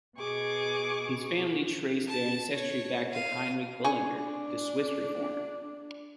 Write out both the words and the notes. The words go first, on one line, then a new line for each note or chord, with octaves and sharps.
His family traced their ancestry back to Heinrich Bullinger, the Swiss Reformer.
B2 G#4 C#6 D6
A5
C#5
F5 D#7
D4 G#5 C#6